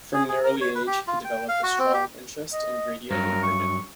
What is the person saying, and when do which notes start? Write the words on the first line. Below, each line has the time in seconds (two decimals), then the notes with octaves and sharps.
From an early age he developed a strong interest in radio and cricket.
0.14 G#4
0.29 G#4
0.44 A#4
0.61 C#5
0.75 B4
0.87 G4
1.07 F4
1.25 G5
1.48 F5
1.63 F#4
1.79 C4
1.94 G4
2.53 D#5
3.11 G2 F#3 A#4
3.43 C#6